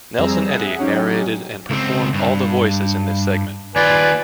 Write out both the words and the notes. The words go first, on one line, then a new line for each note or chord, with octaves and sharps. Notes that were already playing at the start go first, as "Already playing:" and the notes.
Nelson Eddy narrated and performed all the voices in this segment.
F2 G3 C4 G#4 A#5 E6
G#4 E5 F#5
F#3 C#4 D#4 G4
C#2 C4
G2
D#2 F4 B4 D5 G#5